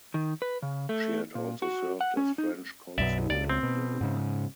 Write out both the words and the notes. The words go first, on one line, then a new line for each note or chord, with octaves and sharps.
She had also served as French consul in Nuuk.
D#3
B4
C#3
A3
A#2
F#4
F#5
C#4
D#4
B1 F#2 B2 D5 E5
C#2 D5
C4
B2
G#2 C#3